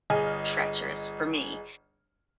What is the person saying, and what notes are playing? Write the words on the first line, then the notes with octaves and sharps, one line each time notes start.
treacherous for me,
G1 G#4 D#5 G#5 F6